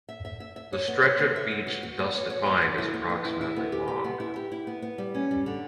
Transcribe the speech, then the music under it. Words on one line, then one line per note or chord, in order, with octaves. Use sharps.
The stretch of beach thus defined is approximately long.
E5
E5
E5
E5
C#5
B3
C#5
B3
E5
B3
F#4
F#4
B3
C#5
C#5
B3
B3
E4
B3
B3
E4
E4
B3
G4
G4
B3
E4
G4
E4
B3
B3
G3
C#4
G3
D3